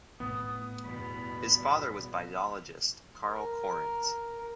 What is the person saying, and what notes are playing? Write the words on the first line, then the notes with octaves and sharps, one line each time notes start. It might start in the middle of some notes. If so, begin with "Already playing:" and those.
His father was biologist Carl Correns.
A2 B3 D#6
E2 G2 B2 B5
A#4